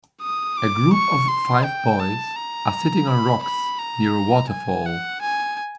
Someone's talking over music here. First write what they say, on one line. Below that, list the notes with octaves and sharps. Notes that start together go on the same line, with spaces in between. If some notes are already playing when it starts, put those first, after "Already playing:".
A group of five boys are sitting on rocks near a waterfall.
D#6
D6
C#6
C6
G5
A5
A#5
B5
B5
A#5
G#5
F#5
G#5